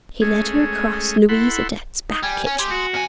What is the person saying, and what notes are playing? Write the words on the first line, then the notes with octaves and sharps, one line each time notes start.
He led her across Louise Adet's back kitchen.
G#3 A3 C#4 G#4
E4 A4 F#5 B5 C6
D#4
G3 G#5
C#4
G4 G#5 C6
F#4
F2 G#5